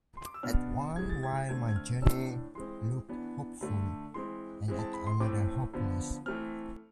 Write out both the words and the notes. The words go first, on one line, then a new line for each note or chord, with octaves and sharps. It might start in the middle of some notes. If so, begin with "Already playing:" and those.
At one while my journey looked hopeful, and at another hopeless.
C6
D6
E6
B2 B3 D4 F6
C3 E3 G#3 G#6
A6
G#6
D3 A3 C4 G#6
G#6
F6
A2 E3 A3 D4 E6
E3 G#3 C4 C6
E3 B3 D4
D3 A3 D4
E3 G#3 C4 C6
E3 G#3 C4
A5
B5
C6
A2 E3 A3 C4 D6
D3 F3 B3
E3 A3 C4 F6